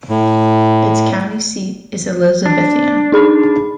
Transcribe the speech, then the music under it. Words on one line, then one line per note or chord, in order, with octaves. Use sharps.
Its county seat is Elizabethton.
A2
D4
D#4 G#4 B5